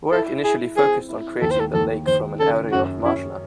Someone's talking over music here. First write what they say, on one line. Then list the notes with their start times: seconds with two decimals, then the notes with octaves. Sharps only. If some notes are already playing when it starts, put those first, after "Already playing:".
Work initially focused on creating the lake from an area of marshland.
0.11 E4 A4
0.44 E4 G#4
0.77 C4 G#4
1.09 E4
1.41 D#2 A4
1.51 C5
1.60 A4
1.74 D#2 A4
2.07 D#2 C5
2.39 C#3 A4
2.72 F#2 F#4
3.04 C#4 E4